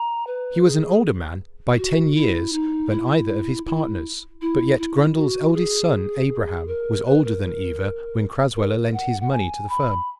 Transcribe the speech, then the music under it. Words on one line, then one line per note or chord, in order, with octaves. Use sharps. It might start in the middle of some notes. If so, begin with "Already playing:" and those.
He was an older man by ten years than either of his partners, but yet Grundle's eldest son Abraham was older than Eva when Crasweller lent his money to the firm.
Already playing: A#5
B4
G#4
F#4
E4
D#4
E4
E4
E4
E4
F#4
G#4
A#4
B4
A#4
A#4
A#4
F#5
F#5
G#5
B5